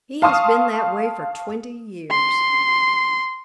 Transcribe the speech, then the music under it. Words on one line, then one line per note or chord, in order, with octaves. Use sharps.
He has been that way for twenty years.
F5 A5 C6 C#6 D#6 F6
C6